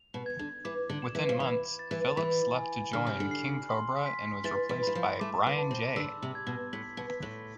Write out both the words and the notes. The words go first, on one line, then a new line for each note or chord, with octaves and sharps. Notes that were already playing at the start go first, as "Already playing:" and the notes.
Within months, Phillips left to join King Kobra and was replaced by Brian Jay.
Already playing: F7
B2
G#6
D3
E3 D6
D3
E7
E3
F3
E3 B5
A6
E3
E3 B5
G#5
D3 F6
C3
D3
C7
C6
B6
E3 A6
E3
E3 B5
F3
A3 D6
B3
A5
C4
D3 E6
C3
G#6
B2
A2 B6
B2
B6
A2